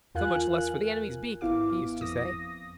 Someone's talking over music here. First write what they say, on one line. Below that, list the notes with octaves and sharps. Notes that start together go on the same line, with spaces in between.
So much less for the enemy's beak, he used to say.
E2 F4 A#4 F5 G#5 F#6
G#1 B3 E4 F5 D6
F2 D#6 A#6